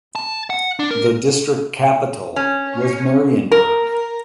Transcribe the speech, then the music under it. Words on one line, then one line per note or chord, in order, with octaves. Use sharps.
The district capital was Marienburg.
A5
F#5
D4
A#4
C#4
A#4